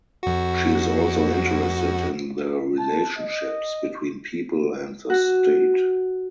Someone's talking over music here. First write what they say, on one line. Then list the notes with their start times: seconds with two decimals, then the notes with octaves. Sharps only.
She is also interested in the relationships between people and the state.
0.23 F2 F#4
2.78 A5
3.18 D#5
5.10 F#4